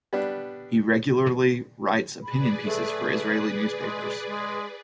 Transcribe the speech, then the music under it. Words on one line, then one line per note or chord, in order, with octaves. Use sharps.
He regularly writes opinion pieces for Israeli newspapers.
G3 B3 D4
G#4 B4 D5 B5
A3
G#3
G#3